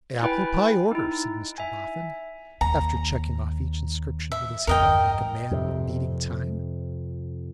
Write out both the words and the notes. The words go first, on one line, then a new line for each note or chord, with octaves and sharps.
'Apple-pie order!' said Mr Boffin, after checking off each inscription with his hand, like a man beating time.
E4 B4 G5 G#5 B5
D#4 E4
E5 G#5
D#2 A#5
E5
E2 G2 A#4 D#5 G5
F2 C3